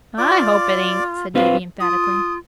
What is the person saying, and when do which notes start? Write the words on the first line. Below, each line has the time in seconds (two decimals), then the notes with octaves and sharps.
"I hope it ain't," said Davy emphatically.
0.18 F4 D5 D6
1.35 C4 F4 B4 F5
1.80 F4 D#6